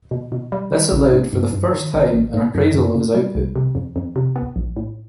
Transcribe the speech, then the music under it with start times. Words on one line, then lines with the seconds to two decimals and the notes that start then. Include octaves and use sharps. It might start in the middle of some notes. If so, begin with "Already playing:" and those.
This allowed for the first time an appraisal of his output.
0.11 B2
0.32 B2
0.52 G3
0.72 G3
0.92 A#1
1.13 G#2
1.33 G2
1.53 G2
1.73 D#3
1.94 A1
2.14 A1
2.34 G#2
2.55 F#2
2.74 F#2
2.95 C#3
3.15 G3
3.35 C2
3.56 C3
3.75 F2
3.96 F2
4.16 C3
4.36 B3
4.56 A#1
4.76 A2